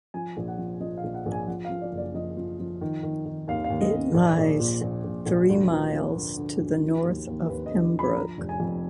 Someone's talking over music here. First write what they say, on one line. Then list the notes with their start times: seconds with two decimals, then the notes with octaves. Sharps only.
It lies three miles to the north of Pembroke.
0.14 F3 G#5
0.37 A#1
0.48 F#5
0.58 F3
0.80 F3 D#5
0.98 F5
1.04 A#1
1.15 F#5
1.26 A#1
1.32 G#5
1.47 F3 F#5
1.65 F5
1.70 F3
1.81 D5
1.92 F#1
1.97 D5
2.15 F3 D#5
2.37 F3
2.60 F3
2.81 D#3
3.03 D#3
3.26 D#3
3.48 D#2 F5
3.64 F5
3.70 D#2
3.81 D#5
3.93 D#2
4.14 A#1
4.38 A#1
4.59 A#2
4.81 A#1
5.04 A#1
5.26 A#1
5.49 D2 D5
5.71 F3 B4
5.93 F3 A#4
6.16 D3
6.37 D3
6.60 D2
6.82 F3
7.04 D#2
7.27 D#2
7.49 D#2 B4
7.66 D#5
7.71 D3
7.94 F3 B5
8.15 F3 A#5
8.38 F1
8.49 G#5
8.60 F2